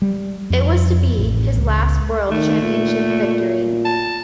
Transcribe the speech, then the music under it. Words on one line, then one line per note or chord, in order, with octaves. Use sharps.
It was to be his last world championship victory.
G3
F2
A1
C#2
D#3 A3
A#2
A5